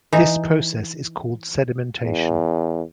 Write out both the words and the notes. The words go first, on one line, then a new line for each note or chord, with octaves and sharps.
This process is called sedimentation.
E3 D#4
E2